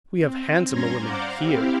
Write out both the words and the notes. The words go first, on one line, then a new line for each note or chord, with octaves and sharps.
"We have handsomer women here."
C4
G2 C#4 A#5 C6 G#6 A#6
C5 D5 F5 F#5 A#5 D6
C4 E4 G4 F5